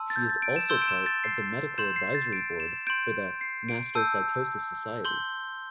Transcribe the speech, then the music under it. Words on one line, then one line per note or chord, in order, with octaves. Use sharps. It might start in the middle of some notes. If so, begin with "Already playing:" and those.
She is also part of the medical advisory board for The Mastocytosis Society.
Already playing: A5 C6 E6
A6
G6
A6
D7
E7
C6 E6 G6 G7
D7
E7
A6
C7
C6 G6 E7
C7
A6
D7
E7
C6 G6 D7
C7
D7
A5 E6 G6
C6 G6 G7